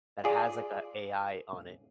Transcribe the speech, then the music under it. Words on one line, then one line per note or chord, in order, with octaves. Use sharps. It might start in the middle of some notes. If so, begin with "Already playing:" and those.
that has, like, a AI on it
F4 G#4 D5